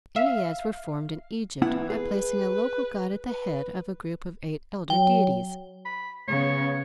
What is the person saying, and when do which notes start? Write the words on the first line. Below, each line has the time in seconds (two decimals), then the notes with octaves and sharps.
Enneads were formed in Egypt by placing a local god at the head of a group of eight elder deities.
0.16 E5 F5
1.62 E3 B3 E4 F#5
1.90 G#4 B4
3.26 B4
4.90 F#3 G5
5.85 B5
6.28 C#3 B3 C#5